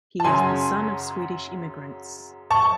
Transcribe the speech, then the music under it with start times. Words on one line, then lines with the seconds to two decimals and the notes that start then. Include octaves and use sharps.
He is the son of Swedish immigrants.
0.20 A5
0.24 F#2 C#3 F#3 C#4 G#5 C6
2.51 A5 C#6